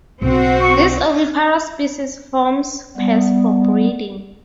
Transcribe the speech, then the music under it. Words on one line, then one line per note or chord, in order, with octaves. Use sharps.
This oviparous species forms pairs for breeding.
B1 C4 F#4
C#6
G3 B3